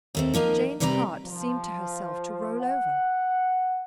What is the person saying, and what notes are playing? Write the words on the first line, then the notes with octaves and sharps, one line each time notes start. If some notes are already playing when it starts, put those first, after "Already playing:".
Jane's heart seemed to herself to roll over.
D#2 A3 C4
F3 A#3 D#4 A#4
C3 G3 B4 D5 F5 A#5
F3
F#5